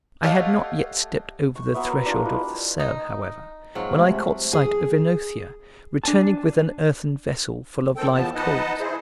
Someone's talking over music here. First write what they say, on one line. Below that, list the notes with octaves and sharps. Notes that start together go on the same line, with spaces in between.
I had not yet stepped over the threshold of the cell, however, when I caught sight of OEnothea returning with an earthen vessel full of live coals.
A3 G4 C#5 D#5 F5 F#5
C#6
F#3 B3 E5
A#4
G3 D4 E4 F4
B4 D#5
D#4
F2 G#2 F#3 F4
C3 G#3 A3
G#4
D4 G#5 A5
D#3 C4 A4 G5
E2 F3 B3 A5
D#4 B4 D#5 F#5 A5
E4 G#4 C5